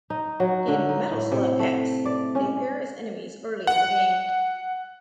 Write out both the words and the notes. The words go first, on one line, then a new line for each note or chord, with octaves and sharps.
In "Metal Slug X" they appear as enemies early in the game.
D#4
F#3
D3
D#4
A2
C3
A3
D5
C#4
F#5